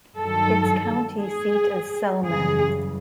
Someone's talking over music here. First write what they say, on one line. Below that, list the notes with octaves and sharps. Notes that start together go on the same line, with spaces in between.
Its county seat is Selmer.
G2 D#3 F#3 A4
G#4
F#2 C#3 E3 G3 G#4